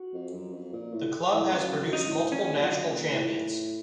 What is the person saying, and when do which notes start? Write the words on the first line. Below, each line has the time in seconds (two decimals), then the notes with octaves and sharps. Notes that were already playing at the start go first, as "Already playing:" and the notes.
The club has produced multiple national champions.
Already playing: F#4
0.13 F2
0.33 F#2
0.53 F2
0.73 A#2
0.93 A2
1.33 A2
1.52 F#2 F4
1.80 F#2
1.93 D#4
2.06 A2
2.32 A#2 C#4
2.59 F#2 F4
2.72 D#4
2.86 A#2
3.12 A2